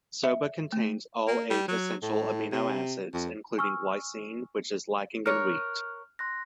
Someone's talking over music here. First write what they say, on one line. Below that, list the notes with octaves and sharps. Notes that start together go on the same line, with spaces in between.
Soba contains all eight essential amino acids, including lysine, which is lacking in wheat.
E5
A3
A#3
G3
F#3
A2
C3
F2
G#5 C#6 E6 F6
A#4 C#5 F6 F#6
C6 F#6 A#6